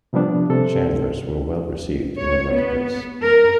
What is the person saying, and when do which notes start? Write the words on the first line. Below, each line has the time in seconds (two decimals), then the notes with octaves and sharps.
Chandlers were well received in the marketplace.
0.13 C3 F3 G3 B3 D4
0.50 C3 A4
2.19 C#5
2.53 B3
3.22 A#4